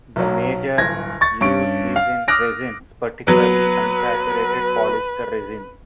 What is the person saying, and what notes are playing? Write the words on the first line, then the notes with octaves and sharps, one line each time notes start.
The major use is in resins, particularly, unsaturated polyester resins.
B1 F#3
D1 G1 G#6 A#6
C#6 A6
G2 C#4 C#6 D7
F5
D6 D#6 F6 F#6 A#6 D7
F#3 B3 B4